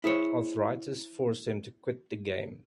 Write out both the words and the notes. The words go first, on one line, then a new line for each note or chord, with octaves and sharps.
Arthritis forced him to quit the game.
E4 G#4 C5 C#5